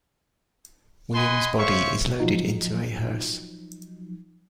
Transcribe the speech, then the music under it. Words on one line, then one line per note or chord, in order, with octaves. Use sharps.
Williams' body is loaded into a hearse.
D#5 F#5 G#5 B5 C6
C5 C#5 E5 F5 C#6
F3 F#3 D#4